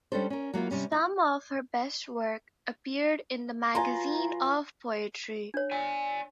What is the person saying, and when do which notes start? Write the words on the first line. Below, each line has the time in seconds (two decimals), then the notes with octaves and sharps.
Some of her best work appeared in the "Magazine of Poetry".
0.12 G3 C#4 D4 A4 C5
0.30 C#4 A#4
0.54 F#3 A#3 E4 F4
0.71 C3 G3 C#4
0.92 E4
3.75 F#3 F4 B4 G#5 A#5 C6
5.54 D4 C#5
5.71 D5 G#5